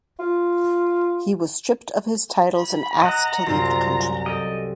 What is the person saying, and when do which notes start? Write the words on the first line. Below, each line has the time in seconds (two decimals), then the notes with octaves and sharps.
He was stripped of his titles and asked to leave the country.
0.19 F4
2.56 B5
3.02 D#5 F#5 A#5
3.47 C2 F#2 F4
4.26 G4 A4 D#5